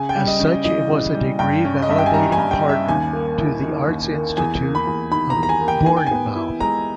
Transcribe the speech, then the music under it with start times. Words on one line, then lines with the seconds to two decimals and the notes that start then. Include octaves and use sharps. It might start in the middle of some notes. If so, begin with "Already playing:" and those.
As such it was degree validating partner to The Arts Institute at Bournemouth.
Already playing: C#3 G#5
0.09 G5
0.16 G3
0.27 D#5
0.40 C#4
0.46 D#5
0.64 E3 D#5
0.90 C#3
1.15 G3
1.39 G2 G5
1.65 C#4
1.82 D#5
1.89 G2 E5
1.98 G5
2.06 G#5
2.14 G3 A#5
2.32 G#5
2.38 G2
2.51 G5
2.64 C#4
2.69 E5
2.88 D#2 G#5
3.13 A#3
3.38 E4
3.63 D#3
3.87 D#2
4.13 A#3
4.37 E2 G#5
4.62 A#3
4.75 B5
4.87 E2
5.11 D#3 B5
5.30 A#5
5.36 E2
5.43 A#5
5.49 G#5
5.61 A#3
5.68 G5
5.86 D#3 G#5
5.97 G5
6.07 B3 G#5
6.36 E4
6.60 G#3 A#5